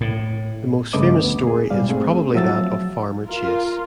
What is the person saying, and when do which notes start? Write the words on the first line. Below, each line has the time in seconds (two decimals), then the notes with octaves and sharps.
The most famous story is probably that of Farmer Chase.
0.01 A2
0.93 G2 C#3 A3 B4 D#5 D6
1.24 D2 B3
1.47 G#4
1.70 G#2 B2 G3 D5 F5
1.89 A3 C4 G#4
2.34 F3 F#3 E5 E6 A6
3.26 F4 A#4